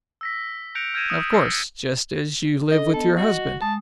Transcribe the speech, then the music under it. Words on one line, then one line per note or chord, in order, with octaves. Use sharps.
"Of course--just as you live with your husband."
E6 A#6 B6
F#6 G6 A#6 C#7 D7 F7
F6 G6 G#6 A#6 D#7 E7
D#6 G6 C#7 D7
E6 F6 A6 A#6 C7 C#7
C#7
D4 A4 D#5
B3 A4 D#5
F#4 D#5
G#3 A5 D#6